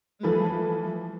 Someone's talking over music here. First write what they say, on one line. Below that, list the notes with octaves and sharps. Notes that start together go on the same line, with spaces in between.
Mhm, mhm.
E3 F3 A3 A4 B4